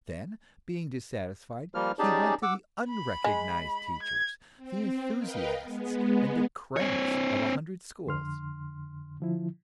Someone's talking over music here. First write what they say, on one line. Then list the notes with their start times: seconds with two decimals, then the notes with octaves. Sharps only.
Then, being dissatisfied, he went to the unrecognized teachers, the enthusiasts and the "cranks" of a hundred schools.
1.75 F3 G3 A#3 F6
1.99 C#4 D#4 G4 G#4 D5 A5
2.43 F#5 D6 E6
2.89 B5
3.24 G#3
4.03 G#6
4.57 C4
5.17 A#4 B4 D#5 F5 G5
5.62 G#3 B3
6.77 C4 C#5
8.06 F2 D3 C6 F6
9.20 D3 F3 E4